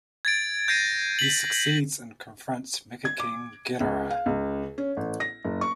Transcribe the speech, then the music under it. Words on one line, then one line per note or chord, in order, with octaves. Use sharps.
He succeeds, and confronts Mecha-King Ghidorah.
G#6 A6 D7
G6 G#6 A#6 C7 D7 D#7
B6 F#7
G#6
D6
C#2
F5
C#2
C#4
A1
A#6
F#1
C#6